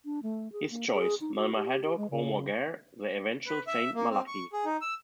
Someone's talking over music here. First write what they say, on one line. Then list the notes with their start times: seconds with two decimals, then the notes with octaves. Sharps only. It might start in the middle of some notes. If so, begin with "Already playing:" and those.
His choice: Maelmhaedhoc O'Morgair, the eventual Saint Malachy.
0.05 D4
0.23 A3
0.53 G#4
0.70 A#3
0.93 G#4
1.21 D#4
1.36 F#4
1.55 G4
1.84 G4
1.97 G#3
2.10 C#3
3.46 B4
3.67 E5
3.94 A#3
4.10 C4
4.27 C#6
4.53 G#4
4.65 D#4
4.81 E6